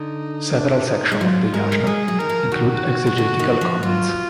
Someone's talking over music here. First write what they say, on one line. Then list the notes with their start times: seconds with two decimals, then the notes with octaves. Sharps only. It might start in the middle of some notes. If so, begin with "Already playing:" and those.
Several sections of the "Yasna" include exegetical comments.
Already playing: D3 D#4
0.55 D4
0.88 D#4
1.12 G#3
1.21 F#3 F4
1.54 G#3 A#4
1.72 G#3
1.87 G#3 G#4
2.08 F#3
2.19 D#3 A#4
2.29 F3
2.52 D#3 F#4
3.07 B2
3.18 D3
3.39 D#3
3.61 F3
3.83 F#3 F4